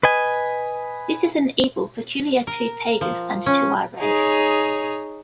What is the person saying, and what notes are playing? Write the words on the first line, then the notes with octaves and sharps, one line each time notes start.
This is an evil peculiar to pagans and to our race.
B4 D#5 G#5
A#4
F3
C#4
D#4 G#4 C#5